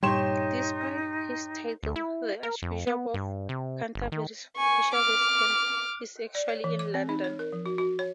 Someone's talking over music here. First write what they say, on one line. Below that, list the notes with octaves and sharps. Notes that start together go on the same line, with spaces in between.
Despite his title, the Archbishop of Canterbury's official residence is actually in London.
G2 A#2 G3 D#4 G4 C#5 C6 E7
D2
E4
A#4
F2
B3
G2
C3
G1
D#3
G#5 C#6
D6 F6
D5
C#5
E3
D6
C4
D#4
C#5
A#4
F3
F#4
F#4
C#5